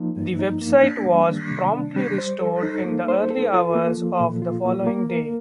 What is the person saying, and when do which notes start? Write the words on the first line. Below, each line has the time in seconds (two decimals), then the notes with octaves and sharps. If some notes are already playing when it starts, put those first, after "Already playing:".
The website was promptly restored in the early hours of the following day.
Already playing: F3 A#3 D#4
0.16 G2
0.39 D#4
0.61 A#3
0.83 D4
1.06 G3
1.29 D#3
1.51 C3
1.73 D4
1.96 G3
2.18 C5
2.41 A4
2.63 D#4
2.85 A#3
3.08 C5
3.31 A4
3.52 F4
3.75 A#3
3.97 F3
4.20 A#2
4.42 F4
4.65 A#3
4.87 A#3
5.10 A#4